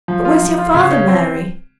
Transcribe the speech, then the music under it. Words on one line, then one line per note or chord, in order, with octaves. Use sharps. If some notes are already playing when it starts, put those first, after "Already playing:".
But where's your father, Mary?'
F3
F4
F3
F4
C#3
C#4
C4